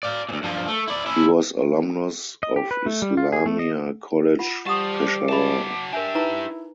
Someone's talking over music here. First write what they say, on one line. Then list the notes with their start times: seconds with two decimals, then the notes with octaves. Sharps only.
He was alumnus of Islamia College Peshawar.
0.03 D5 F5
0.29 D2 A#2
0.43 G2 F3
0.68 A3
0.88 E4 D5
1.06 C#4 E4
2.43 D#5
2.56 G4
2.71 B4
2.86 A3
3.02 G3
3.17 F4
3.32 G#4
3.46 A3
3.59 D#5
4.39 F4 F#5
4.66 G3 G4 C5 F#5 A5 D#6
4.95 D6
5.29 F#3 D#5 E5 A5 B5
5.93 D4 G4 A#4 E5 G#5
6.15 D#4 E4 B4 A#5